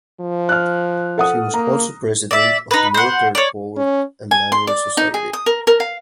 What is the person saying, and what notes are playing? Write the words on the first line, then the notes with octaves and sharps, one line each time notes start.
She was also president of the Mortar Board and Lanier Society.
F3
F6 F#6
A4 F#5 D#6
A#3 A#5
D5 E5
D#4 B4
C5 F#5
C#5 D5
C#4
G#5
C6
D5
D#4
G#4
D#6
A#4
A#4
F5